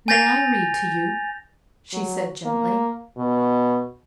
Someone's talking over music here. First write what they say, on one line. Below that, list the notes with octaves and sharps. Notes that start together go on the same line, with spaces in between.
"May I read to you?" she said, gently.
G#5 G6 A6 A#6 F7
F#3
A#3
B2